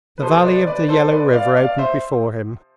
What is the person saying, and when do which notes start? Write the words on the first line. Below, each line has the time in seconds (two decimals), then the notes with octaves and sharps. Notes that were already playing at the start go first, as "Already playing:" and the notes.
The valley of the Yellow River opened before him.
0.18 B4
0.22 C3 F3 A4 C5
0.44 B4 D5
0.67 B4 D5
0.89 A4 C5
1.11 B4 D5
1.33 D5 F5
1.56 D5 F5
1.78 C5 E5